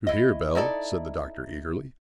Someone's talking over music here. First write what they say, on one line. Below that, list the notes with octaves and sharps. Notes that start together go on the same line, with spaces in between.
"You hear, Bell," said the Doctor, eagerly.
E4 D#5
D#4 E4 A4 D5